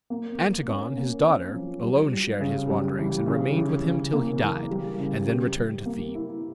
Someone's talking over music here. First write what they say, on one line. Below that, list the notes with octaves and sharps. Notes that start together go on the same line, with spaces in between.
Antigone, his daughter, alone shared his wanderings and remained with him till he died, and then returned to Thebes.
A#3
A#3
C#4
A#3
C#4
F3
G3
G3
C#3
G3
E3
C#3
E3
C#3
A#3
E3
G3
C#3
G4
G3
A#3
E4